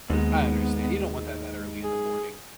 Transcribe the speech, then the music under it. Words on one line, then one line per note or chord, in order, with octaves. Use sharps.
I understan you don't want that that early in the morning.
D#2 G#2 G#3 B3
G#4